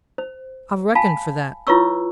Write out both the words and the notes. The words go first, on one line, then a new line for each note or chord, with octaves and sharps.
'I've reckoned for that.
C5
F5 G#5 A5 B5
E4 F4 B4 C#5 C#6 E6